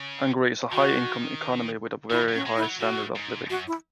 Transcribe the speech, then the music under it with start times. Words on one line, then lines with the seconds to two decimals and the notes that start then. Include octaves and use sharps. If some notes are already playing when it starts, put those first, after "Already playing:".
Hungary is a high-income economy with a very high standard of living.
Already playing: C#3
0.72 D#3 F#4
2.10 D#3 E4
2.29 F#3
2.34 C#4
2.46 G#3
2.57 E4
2.63 F#3
2.79 A2 F#4
3.15 G#2
3.50 F#2 F#4
3.67 E4